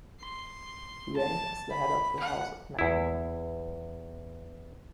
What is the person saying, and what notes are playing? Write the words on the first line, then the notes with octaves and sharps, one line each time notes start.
He reigned as the head of the House of Mecklenburg.
C6
A5
B5
F#5
E2 E4